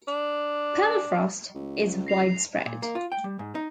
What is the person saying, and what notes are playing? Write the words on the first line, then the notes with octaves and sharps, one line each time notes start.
Permafrost is widespread.
D4
C#2
A#6 C7 F7
A#2
A#3
F4
G5
G3
G#2
D#4